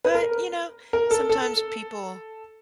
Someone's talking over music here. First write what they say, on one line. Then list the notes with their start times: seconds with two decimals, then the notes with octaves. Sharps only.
But you know, sometimes people
0.05 B4
0.15 A#4
0.93 A#4
1.11 A4
1.29 A4